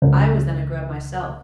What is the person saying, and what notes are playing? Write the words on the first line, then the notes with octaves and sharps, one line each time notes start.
I was then a Grub myself.
C#2